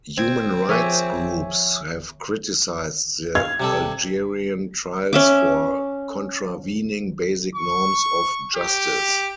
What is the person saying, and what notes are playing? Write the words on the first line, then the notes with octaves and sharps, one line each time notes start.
Human rights groups have criticised the Algerian trials for contravening basic norms of justice.
C4 G#6
F3 G#4 A#4 C#5 E5 G#5 D6
F5 G#6
C3 G3 A4
C#4 E5 D6
C#6
G4